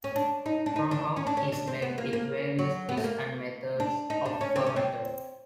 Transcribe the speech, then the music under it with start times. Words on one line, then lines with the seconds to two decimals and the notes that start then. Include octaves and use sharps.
Prahok is made with various fish and methods of fermented.
0.04 C#4
0.16 D4
0.46 D#4
0.66 D4
0.76 D#4
0.91 D4
1.16 C#4
1.27 D4
1.37 C#4
1.52 D4
1.67 C4
1.82 B3
1.98 A#3
2.13 A#3
2.59 F#3
2.89 B3
2.97 A3
3.04 A#3
3.80 D4
4.10 D#4
4.26 D4
4.41 C#4
4.56 C4
4.67 C#4
4.76 C4